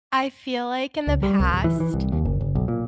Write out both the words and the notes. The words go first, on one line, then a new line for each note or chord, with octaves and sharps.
I feel like in the past,
C#2
G3
C2
D1
E3
E3
C2
D#2
F#1
F#1
B1
A#2